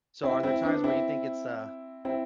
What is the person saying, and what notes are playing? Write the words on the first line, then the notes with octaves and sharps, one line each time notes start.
So are there times where you think it's, uh
C4 E4
C4 E4
B3 D4
C4 E4
C4 E4